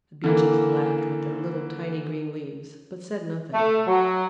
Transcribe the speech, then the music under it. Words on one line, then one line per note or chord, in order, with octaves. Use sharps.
The Beeches laughed with their little, tiny green leaves, but said nothing.
D3 E3 A#3
A3
F#3